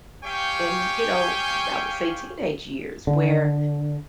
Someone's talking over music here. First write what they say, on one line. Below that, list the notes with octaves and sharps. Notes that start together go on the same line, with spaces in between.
in you know, I would say teenage years where
G4 C#5 F5 G5 G#5 C#6
D3